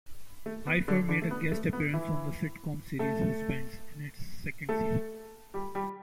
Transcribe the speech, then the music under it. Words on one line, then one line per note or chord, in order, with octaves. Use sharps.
Phifer made a guest appearance on the sitcom series "Husbands" in its second season.
A3
B3
D3 D4
D3 D4
A3
B3
A3
B3
E3 E4
A3 A4
A3 A4
G3 G4
G3 G4